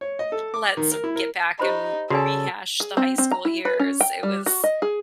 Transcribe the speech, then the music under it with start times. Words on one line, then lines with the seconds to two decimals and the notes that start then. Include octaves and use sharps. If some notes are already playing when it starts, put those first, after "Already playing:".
"Let's get back and rehash the high school years." It was
0.01 C#5
0.19 D#5
0.32 A4
0.54 D6
0.77 D#3
0.92 A#4
1.04 E4
1.16 A#4
1.59 D#4 G4 C5 B5
2.10 C#3 F#4 A4 D5 G#5
2.80 G#4
2.97 C4
3.18 C4
3.31 A#5
3.45 E4
3.65 B4
3.79 C#4
4.01 G5
4.23 G3
4.46 F#4
4.64 D#5
4.82 G#4